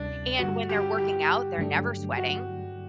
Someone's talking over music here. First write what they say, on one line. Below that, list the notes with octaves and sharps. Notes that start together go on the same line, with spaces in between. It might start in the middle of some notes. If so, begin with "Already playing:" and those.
and when they're working out, they're never sweating.
Already playing: D2 C3 G3 D4
G2 D3 G3 F#4
G4
G4
G2 D3 F#3 A3 D4
F#4